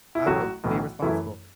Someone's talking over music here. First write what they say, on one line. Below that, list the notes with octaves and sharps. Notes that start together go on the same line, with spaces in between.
I will be responsible,"
E4
A1 A2 F#3 A3 F#4
B1 A2 E3
F#2 E3 A3 E4